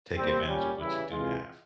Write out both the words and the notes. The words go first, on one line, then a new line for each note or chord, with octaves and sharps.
take advantage of what you do have.
C3 G3 A#3 C4
A#2 G3 A#3 C#4
C#3 E3 G3 E4
C3 E3 G#3 F4